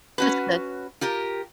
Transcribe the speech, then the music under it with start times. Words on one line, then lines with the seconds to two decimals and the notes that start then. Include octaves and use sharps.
that's good.
0.18 C#4 F#4 B4
1.01 F4 G4 A#4